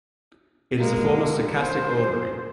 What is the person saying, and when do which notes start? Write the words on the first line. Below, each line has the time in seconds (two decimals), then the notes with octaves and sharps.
It is a form of stochastic ordering.
0.79 G#3 A#3
1.59 C5